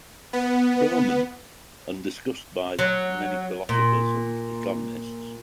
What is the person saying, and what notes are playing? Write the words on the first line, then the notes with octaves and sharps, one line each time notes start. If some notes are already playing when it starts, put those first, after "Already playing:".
Roman, and discussed by many philosophers and economists.
B3
F#3
A#2